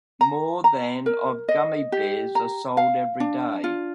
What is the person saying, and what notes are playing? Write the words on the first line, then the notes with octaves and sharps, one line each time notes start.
More than of gummy bears are sold every day.
A#5
A#5
A#4
D#5
G4
A#5
F5
D4
F4